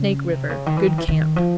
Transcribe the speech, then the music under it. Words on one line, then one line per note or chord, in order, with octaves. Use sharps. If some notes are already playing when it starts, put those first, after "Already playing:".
Snake River.--Good camp.
Already playing: C#3
C3
C#3
D#3
E3
D#3
E3
D#3
F3